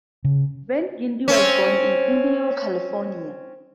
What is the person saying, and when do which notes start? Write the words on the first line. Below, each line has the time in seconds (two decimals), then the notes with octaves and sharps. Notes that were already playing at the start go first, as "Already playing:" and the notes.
Van Gundy was born in Indio, California.
0.24 C#3
1.28 C4 C#4